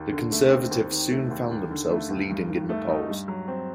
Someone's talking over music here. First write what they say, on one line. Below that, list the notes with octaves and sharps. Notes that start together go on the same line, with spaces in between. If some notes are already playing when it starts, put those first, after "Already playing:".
The Conservatives soon found themselves leading in the polls.
Already playing: D#2 D#3
D3
A3
C4
D#2
D#3
A3
D#2
D#2
D3
A3
D#2
G2
D#3
A3
D#4
G2
F#3
C4